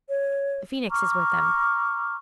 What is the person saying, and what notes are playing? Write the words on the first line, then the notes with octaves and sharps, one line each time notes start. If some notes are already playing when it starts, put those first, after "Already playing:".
The Phoenix is with them.'
C#5
A#5 C#6 D6 F6